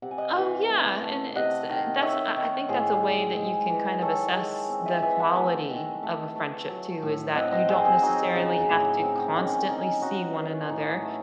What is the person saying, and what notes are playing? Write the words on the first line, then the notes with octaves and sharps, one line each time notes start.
Oh, yeah, and it's, uh that's, I I think that's a way that you can kind of assess the quality of a friendship too, is that you don't necessarily have to constantly see one another,
C3 F#5
G#5
D#5 F#5
E3
A3
A3
C3 D#5 F#5
D#3
D#3 C#5 E5
D#3
A2 G#4 C5
G#3
G#3
E3
D#3 A4 C#5
G#3
C4
E5 G#5
E3 E5 G#5
F#5 A5
A3 E5 G#5
D#3
A3
A3
F#3
A2
C4 D#5 F#5
C5 D#5
C4 G#4 C5
G#4 C5
F#3 D#4
C#3
A2
C4
D#3 C#4
C#4 D#4
C#4 D#4 F#4
E3
A2 D#4
A3